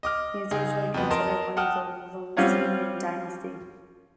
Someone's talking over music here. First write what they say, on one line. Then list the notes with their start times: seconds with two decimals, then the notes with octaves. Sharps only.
He is usually considered one of the Lusignan dynasty.
0.03 D#5 D6 F6
0.51 C#2 D#4 G#4
0.94 F2 B3
1.10 A#4 D#5 A5 A#5 C6
1.57 F#5 G5 A5 D#6 F6
2.37 G3 C4 C#4 F4 C#5 F#5